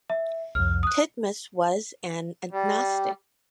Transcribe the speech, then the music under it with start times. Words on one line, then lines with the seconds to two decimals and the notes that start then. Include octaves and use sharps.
Titmuss was an agnostic.
0.10 E5
0.55 C2 F2 F6
0.83 D#6 F#6
2.52 G3